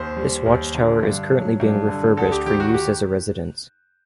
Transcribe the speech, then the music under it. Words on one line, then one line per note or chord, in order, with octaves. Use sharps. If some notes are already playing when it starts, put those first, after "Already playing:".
This watchtower is currently being refurbished for use as a residence.
Already playing: D#2 C5
G3
D#2
D3
G2
F#3
G2
D3
D2 A4
G4
D#3 G4
F#4
G4